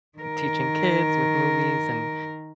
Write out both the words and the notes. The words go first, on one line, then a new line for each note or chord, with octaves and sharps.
teaching kids with movies and
D#3 A#4